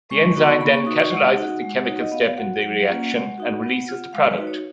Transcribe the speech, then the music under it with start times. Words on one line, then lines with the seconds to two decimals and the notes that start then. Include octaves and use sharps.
The enzyme then catalyzes the chemical step in the reaction and releases the product.
0.10 G#3 C#6
0.36 B3 D#4 F#4
0.61 A#3 B5
0.73 C#6
0.86 D#4 F#4 D#6
0.98 C#6
1.11 G#3 F#5
1.36 D#4 F#4
1.62 G#3
1.85 D#4 F#4 C#5
1.98 D#5
2.12 B3 F5
2.37 F#4 F#5
2.62 F#3 F#5
2.87 A#3 C#4 F4
3.12 G#3
3.38 D#4 F#4
3.64 B3
3.89 F4
4.13 G#3 F5
4.31 B4
4.38 D#4 F#4
4.47 C#5